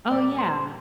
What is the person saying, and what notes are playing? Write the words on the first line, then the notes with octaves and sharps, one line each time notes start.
Oh, yeah.
A#2 G3 A#3 D5
C5